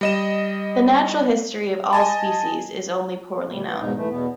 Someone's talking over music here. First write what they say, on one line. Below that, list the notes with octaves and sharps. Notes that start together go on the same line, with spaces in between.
The natural history of all species is only poorly known.
G3 D#5 E7
D#5 G#5 A5
A#2 G3
E3
E2 G#2 B2 D#4
E3 A3
E2 B2 B3